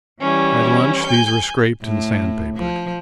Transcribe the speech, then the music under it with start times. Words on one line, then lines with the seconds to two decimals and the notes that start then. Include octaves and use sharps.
At lunch these were scraped and sand-papered.
0.21 E3 G3 C#4 E4
1.03 G#5 G6
1.83 A2
2.56 F3